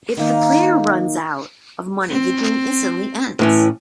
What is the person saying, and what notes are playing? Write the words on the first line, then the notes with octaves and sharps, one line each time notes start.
If the player runs out of money, the game instantly ends.
D#3 A#3 D#4
C4
A2 E3 C#4